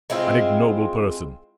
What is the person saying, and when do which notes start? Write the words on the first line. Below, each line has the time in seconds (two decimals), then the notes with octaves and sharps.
An ignoble person!
0.10 G#3 C4 E4 F4